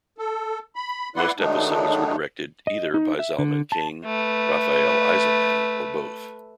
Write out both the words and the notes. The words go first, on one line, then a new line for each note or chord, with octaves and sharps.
Most episodes were directed by either Zalman King, Rafael Eisenman or both.
A4
B5
E4 B4 D5 F#5 C6
D#3 F#3 G#3 A3 D4 D#4
D#5
D#4
E5
D3
A5
A3 B4